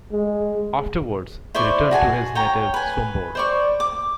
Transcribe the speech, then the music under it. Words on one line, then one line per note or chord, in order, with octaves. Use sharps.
Afterwards he returned to his native Sombor.
G#3
E4 C5 D5 C#6
F#4 G#4 G#5 A5
C#5 G5 A#5
B4 G#5
C5 D5 C#6
D6